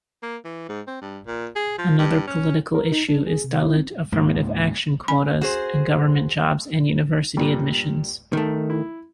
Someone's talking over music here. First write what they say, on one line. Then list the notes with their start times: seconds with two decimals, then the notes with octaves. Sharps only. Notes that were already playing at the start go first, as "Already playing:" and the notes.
Another political issue is Dalit affirmative-action quotas in government jobs and university admissions.
0.23 A#3
0.45 E3
0.69 G#2
0.87 C4
1.01 G2
1.27 A#2
1.56 G#4
1.78 F3
1.99 G2
2.27 C#4
2.75 A#4
2.92 D#4
3.09 D4
3.27 G#4
3.44 C3
3.63 E4
3.76 C4
4.12 C#2 G#2 A#3
5.08 C#4 G#5 B5
5.41 F#4 G#4 C5
7.37 G2 A#2 G3
8.33 D#3 A3 D#4
8.70 E4